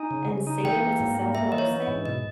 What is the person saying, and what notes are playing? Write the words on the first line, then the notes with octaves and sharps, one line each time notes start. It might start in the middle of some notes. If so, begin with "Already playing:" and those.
and see if it's a self-help state
Already playing: D#4 G#5
C#3
C#3
D#4
E3 G5
A#3
G#2
A#3
A#3 E5
E3 D#5
C#5
E3
D#5
G#2
B2 D#5